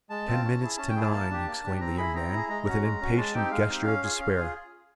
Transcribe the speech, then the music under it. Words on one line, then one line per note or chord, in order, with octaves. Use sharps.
"Ten minutes to nine!" exclaimed the young man, with an impatient gesture of despair.
G#3 A5
C4 F4
C#4
E4 G#4
C#4 A5
G5
E4 G#4 A5
A#3 A5
D4 G4
A#3
D4 G4
C4 A#5
E4 G#4 B5
C4 A#5
E4 G#4
G#3 A#5
C#4 F#4
G#3
C#4 F#4
G#3 A5
C4 D#4 G4 G5
G#3 F5
C4 D#4 G4
C#4
F4 G#4
C#4
F4 G#4